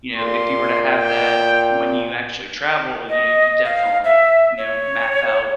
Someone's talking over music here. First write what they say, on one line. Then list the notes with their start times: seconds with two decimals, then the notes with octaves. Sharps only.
you know, if you were to have that when you actually travel, you know, you could definitely you know, map out
0.16 A#2 C6
0.92 G5
3.09 D#5
3.65 F5
4.04 E5
4.58 C#5